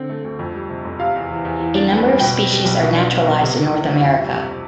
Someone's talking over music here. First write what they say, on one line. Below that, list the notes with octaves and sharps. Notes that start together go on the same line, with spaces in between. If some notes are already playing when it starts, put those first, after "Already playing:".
A number of species are naturalized in North America.
Already playing: D3 C4
A3
D2
F2
G3
C3
F1
C3 F5
E2
E3
E2
E3
D4
B3
G2
B2 G5
C4
G3
B1
B2
D4
B3
B1
C3
D2
E3
D2
F2
G3
C3